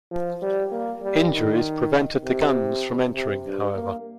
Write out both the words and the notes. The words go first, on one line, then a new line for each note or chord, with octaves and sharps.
Injuries prevented the Gunns from entering, however.
F3
G3
A#3
G3
D#3
C3
C3
G2
A#3